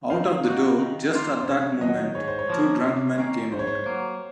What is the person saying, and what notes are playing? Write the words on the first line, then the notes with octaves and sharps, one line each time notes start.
Out of the door, just at that moment, two drunk men came out.
D#3 F5
A#3 D#4 F#4
D#3
A#3 F4
C5
C3 C#5
D#3 F#3 D#5
G#2 C#5
C5
C#5
F3 A#3
C3
D#3 A#3 C#4
G#2 C5
C#5
C5
F#3 A#3